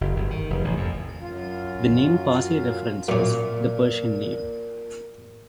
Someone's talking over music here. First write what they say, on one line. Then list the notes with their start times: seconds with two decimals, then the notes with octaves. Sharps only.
The name Parsi references the Persian name.
0.01 F#1
0.16 G1
0.31 D#3
0.50 F1
0.65 A1
0.77 F2
1.20 F#2 F4
3.08 F#2 A#2 C#4